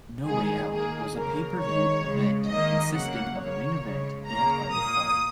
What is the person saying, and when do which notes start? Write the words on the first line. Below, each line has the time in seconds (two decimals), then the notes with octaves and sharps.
No Way Out was a pay-per-view event consisting of a main event and undercard.
0.25 D#3 G#3 G#4
0.69 D#3 A#3 G#4
1.14 C#3 F#3 A#3 A#4
1.59 D#3 G#3 C#5
2.03 C#3 G#3
2.48 D#3 A#3 D#5
2.93 C#3 F#3 A#3 F#5
3.38 C#3 A#3 C#5
3.83 C#3 G#3
4.27 C#3 A#3 A#5
4.72 A#2 A#3 D#6